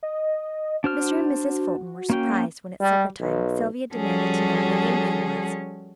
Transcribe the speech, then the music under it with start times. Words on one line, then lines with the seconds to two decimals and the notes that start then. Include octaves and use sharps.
Mr. and Mrs. Fulton were surprised when at supper time Sylvia demanded to know what a "Yankee" was.
0.03 D#5
0.84 D4 F#4 C5 F6
2.10 A#3 C#4 G5
2.81 G3
3.20 B1
3.93 F3 G3 C#4 F#4 G#4 A4